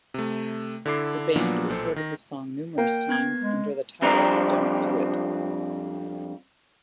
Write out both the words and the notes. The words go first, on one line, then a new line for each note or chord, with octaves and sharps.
The Band recorded the song numerous times under the title "Don't Do It".
C3 A3
D3 E4 A4 D6 C7
A#2 F3 F#3 A#3 B3 D4
B1 A#2 A4 C5
D#3 A#6
A#3 G5
B3 G#6
G#3
F2 G3 C4 D4 A#5